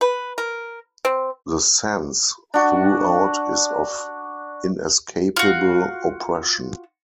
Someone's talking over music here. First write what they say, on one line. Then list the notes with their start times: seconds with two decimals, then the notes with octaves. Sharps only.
The sense throughout is of inescapable oppression.
0.01 B4
0.38 A#4
1.05 C4
2.54 D4 F#4
5.36 F4 F#4